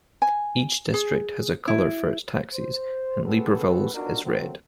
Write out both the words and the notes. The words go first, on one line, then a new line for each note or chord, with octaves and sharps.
Each district has a colour for its taxis and Libreville's is red.
G#5
G#4
E4
C5
C4 F#4 G#4 A4 B4
B3 D4 D#4 F4 F#4 A#4
A#2 D3 F#3 A3 A#3 C4